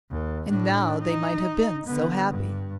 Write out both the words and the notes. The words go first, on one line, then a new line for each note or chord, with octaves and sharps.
And now they might have been so happy!
D#2
A2 D4
D#4
D3 B3
G2